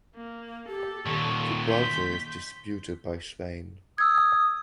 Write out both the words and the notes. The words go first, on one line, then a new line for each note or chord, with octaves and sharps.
Gibraltar is disputed by Spain.
A#3
G4 A4
D#2 A#2 C#6
C6 G6 B6
D#6 E6 G#6